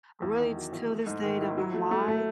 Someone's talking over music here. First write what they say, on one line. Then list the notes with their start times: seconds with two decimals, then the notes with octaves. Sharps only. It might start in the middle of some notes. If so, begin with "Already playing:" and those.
Really, it's till this day, I don't know why,
0.22 E2
0.39 D#3
0.56 F#3
0.73 E2
0.90 A3
1.06 G#2
1.23 D#3
1.41 E4
1.58 F#3
1.74 A3
1.91 A3
2.08 A3